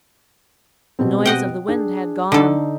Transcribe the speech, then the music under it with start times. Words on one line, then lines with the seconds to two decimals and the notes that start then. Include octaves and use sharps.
The noise of the wind had gone.
0.99 B2 G3 C4
1.25 D#5 F#5 G5
1.68 D4 G#4
2.32 D3 D#4 A4